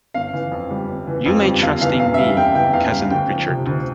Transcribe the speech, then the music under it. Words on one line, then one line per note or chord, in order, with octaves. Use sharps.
You may trust in me, cousin Richard.
G1 F5
E3
F2
G3
G1
E3
F2
G3
E1 F5
E3 F5
E2 F5
E5
G3 F5
E1 G5
E3 G5
E2 F5
G3
D2 G5
F3
C3
D2